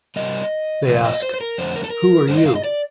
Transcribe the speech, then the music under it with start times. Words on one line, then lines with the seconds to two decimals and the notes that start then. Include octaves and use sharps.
They ask, 'Who are you?
0.16 C3 D#3 G3 A#3 D#5
0.87 C3 F3 A3
1.05 D#5
1.22 C5
1.34 C5
1.41 A#4
1.58 F2 D3 A3 C5
1.76 A#4
1.84 A4
1.90 A#4
2.29 G2 D3 A3 C5
2.37 D#5
2.46 F5
2.55 D#5
2.64 D5